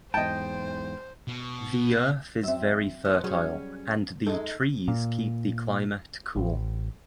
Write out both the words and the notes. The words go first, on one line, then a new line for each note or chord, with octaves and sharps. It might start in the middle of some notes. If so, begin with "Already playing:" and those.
The earth is very fertile and the trees keep the climate cool.
E2 G#2 C5 D#5 G5 A5
B2
F#3 C4 E5
F3 B3
F#3 G3 C#4 G#4
F#2 G#3 D#4 A4
A#2
A1